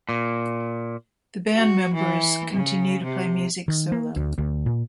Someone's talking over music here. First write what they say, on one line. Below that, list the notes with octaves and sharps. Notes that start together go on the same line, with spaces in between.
The band members continue to play music solo.
A#2
F#4
E3
C#3
C3
D#3
A#3
D2
D2
A#2